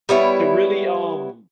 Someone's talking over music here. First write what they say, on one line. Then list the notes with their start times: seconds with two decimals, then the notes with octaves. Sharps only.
to really, um,
0.09 G3 B3 E4 C#5